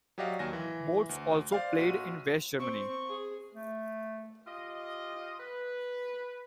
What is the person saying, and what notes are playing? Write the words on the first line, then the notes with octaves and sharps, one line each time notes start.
Bots also played in West Germany.
F#3 F#4 G4 D5 D#5 F5
D#2 F#3 G#5 A#6
E3
D2
C5 D5 F5
A#1 F#4 C6 D#7
C4 C#6
G#4
A3
F4 G4 D#5
B4